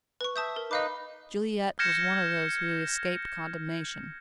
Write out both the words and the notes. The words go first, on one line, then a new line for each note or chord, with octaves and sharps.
Juliette was one of those who escaped condemnation.
B4 C#6
E5 A5 D#6 G6
A#4
D#4 B4 D#5 F5 D6
F6 G6 G#6 A#6 C#7 E7